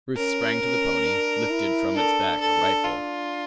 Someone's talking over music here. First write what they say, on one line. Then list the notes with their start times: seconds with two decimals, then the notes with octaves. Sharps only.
Ruth sprang to the pony, lifted from its back a rifle.
0.17 C#4 A#4
0.61 C#4
1.06 D4
1.51 E4
1.96 D4 A4
2.41 A4
2.85 F4